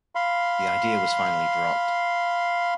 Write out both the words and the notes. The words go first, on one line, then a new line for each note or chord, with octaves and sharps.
The idea was finally dropped.
F5 B5 C6